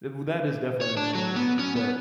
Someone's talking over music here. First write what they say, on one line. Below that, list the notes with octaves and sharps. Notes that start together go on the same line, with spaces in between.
w that is definitely annoying, but
C#5
D4
F#3
B3
C#4
B3